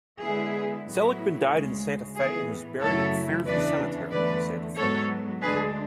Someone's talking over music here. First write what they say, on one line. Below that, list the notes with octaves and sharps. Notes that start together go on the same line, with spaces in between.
Seligman died in Santa Fe, and was buried at Fairview Cemetery in Santa Fe.
D3 G#3 B3 E4 G#4
A2 F#3 B3 E4
D2 C#3 G#3
A2 E3 B3 G#4
F#2 C#3 F#3 A3 E4 A4 C#5
E2 C#3 E3 B3 D4 B4 D5
E2 D3 A3 B4 D5
G#2 F#3 B3 A4 C#5
D2 D3 G#3 D4 G#4 B4